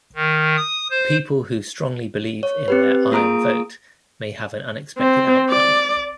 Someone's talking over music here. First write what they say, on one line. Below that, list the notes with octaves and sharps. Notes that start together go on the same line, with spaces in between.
People who strongly believe in their "iron vote" may have an unexpected outcome.
D#3
D#6
C5
C#5
C4 G4 B4
A#3 F4 G#4 A#5 D#6 D7
C4
D5